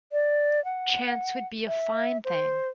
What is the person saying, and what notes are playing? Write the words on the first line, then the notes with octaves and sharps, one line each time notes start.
Chance would be a fine thing!
D5
F#5
E5
C5